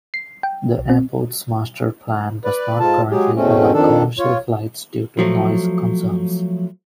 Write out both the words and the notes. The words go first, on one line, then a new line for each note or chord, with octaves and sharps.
The airport's master plan does not currently allow commercial flights due to noise concerns.
C7
G5
B1
C4
B4 D5
G#2 F4 A4 A5
F#3 G#3 G4 G#4
E2 B2 A3 C4 C#4
F2 D#3 D4 A4
F4 C#5
F3 F#3 A3